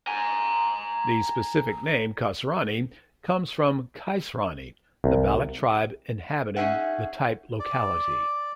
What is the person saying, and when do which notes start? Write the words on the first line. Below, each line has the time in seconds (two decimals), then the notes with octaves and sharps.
The specific name "kasrani" comes from Qaisrani, the Baloch tribe inhabiting the type locality.
0.07 G#5 A#5
5.04 C2
6.56 C#4 D#4 F4 G#4 E5 F#5
7.60 D5